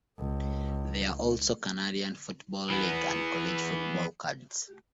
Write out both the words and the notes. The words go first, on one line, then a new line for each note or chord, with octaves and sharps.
There are also Canadian Football League and college football cards.
C#2
E3 B3